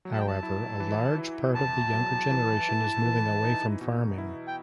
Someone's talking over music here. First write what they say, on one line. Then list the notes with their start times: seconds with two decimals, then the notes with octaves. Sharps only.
However, a large part of the younger generation is moving away from farming.
0.05 F#3
0.12 A5
0.19 G5
0.27 A5
0.43 E4
0.80 E3
1.18 E4
1.55 E2 A5
1.93 F#3
2.31 E3
2.69 E4
3.05 E3
3.44 D#4
3.81 B2
4.18 E4
4.47 G5